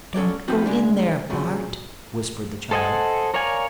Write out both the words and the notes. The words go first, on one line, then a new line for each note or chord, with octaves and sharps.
"Don't go in there, Bart!" whispered the child.
C#4 A4 C#5 D5
F3 B3 C4 D#4 E4 F#4
C#3 G#3 D4
A#2 C#3 F3 F#3
A4 C5 D#5 F#5 G#5
A#4 C#5 D5 F5 G#5